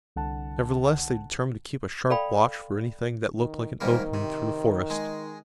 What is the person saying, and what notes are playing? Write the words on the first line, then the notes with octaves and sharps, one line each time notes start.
Nevertheless they determined to keep a sharp watch for anything that looked like an opening through the forest.
C2 D3 F#5 A5
A4 D5 F5 G5 B5
D#3
G#2 D#3 G3 A#3
C3
G#3